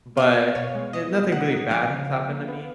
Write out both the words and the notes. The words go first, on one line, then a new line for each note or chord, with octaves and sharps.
but, eh, nothing really bad has happened to me.
B3 F5
B3
B2 C#5
G#3
B2 D#5
A#3
A#3 F#5
A#3
F3 F5
C#3
F3
A#3
B3